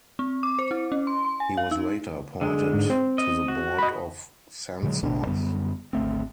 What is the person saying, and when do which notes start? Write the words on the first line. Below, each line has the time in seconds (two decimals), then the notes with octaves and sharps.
He was later appointed to the Board of Censors.
0.19 C4
0.43 D6
0.59 C5
0.71 E4
0.92 C#4
1.07 C6
1.25 C6
1.40 G#5
1.57 F5
1.71 D#4
2.41 D3 G#3
2.73 G#2
2.90 C4
3.18 D#5
3.48 F#4
3.78 D#5 B5
4.83 A#2 D3 F#3 G#3
5.03 A1 D2 B2 D4
5.27 F#2 D3 G3 B3
5.93 G#1 D2 A3 C4